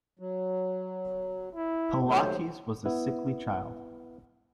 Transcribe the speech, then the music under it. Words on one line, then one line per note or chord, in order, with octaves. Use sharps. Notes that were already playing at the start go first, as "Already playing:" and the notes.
Pilates was a sickly child.
F#3
E4
D#2 F#3 A3 C5
B3 E4